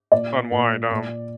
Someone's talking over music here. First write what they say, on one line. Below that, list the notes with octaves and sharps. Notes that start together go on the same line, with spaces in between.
unwind, um,
A#2 D5
A#2
A#2